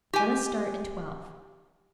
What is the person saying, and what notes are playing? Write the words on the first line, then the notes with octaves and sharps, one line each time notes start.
Let us start at twelve.
G4 G#5